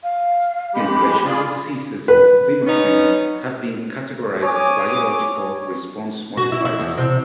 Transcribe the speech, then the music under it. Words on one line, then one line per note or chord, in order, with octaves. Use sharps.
In relation to diseases, thymosins have been categorized as biological response modifiers.
F5
G#3 G4 B5
F4 G#4 D5
B4
B3 C#4 D#4
C#5 G#5 D6 D#6
F#4
E4
E4
E2
C3